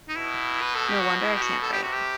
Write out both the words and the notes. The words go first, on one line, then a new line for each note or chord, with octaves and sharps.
No wonder I can't write!
D#4
B2 E4
B4
A4
G4
F#4
E4
G4
F#4
A4
G4
C3 F#4
G4